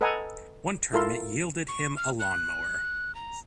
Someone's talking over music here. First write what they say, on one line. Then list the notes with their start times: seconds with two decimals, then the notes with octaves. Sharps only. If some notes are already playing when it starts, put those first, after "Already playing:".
One tournament yielded him a lawnmower.
0.01 A4 B4 D#5 F#5 G#5 A#5
0.93 E4 F4 A4 A#4 F5 C6
1.68 C#6
1.96 F6
2.20 F#6
3.15 A#5